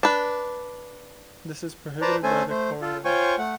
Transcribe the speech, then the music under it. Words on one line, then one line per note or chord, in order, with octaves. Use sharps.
This is prohibited by the Quran.
D4 B4
B4 C5 D5 A5 A#5
A3 C#4 A4 C5 G#5
A3 C5
F4 A4
F4 C5 C#5 G5 G#5 C#6
A3 F#5